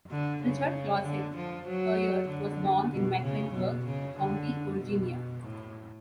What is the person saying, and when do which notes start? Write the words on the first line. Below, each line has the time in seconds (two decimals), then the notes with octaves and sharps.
Richard Clauselle Puryear was born in Mecklenburg County, Virginia.
0.10 D3
0.42 C#3
1.04 D3
1.36 F3
1.67 F#3
2.29 D3
2.92 B2
3.22 C#3
3.54 B2
3.85 C#3
4.17 D3
4.80 B2
5.42 A2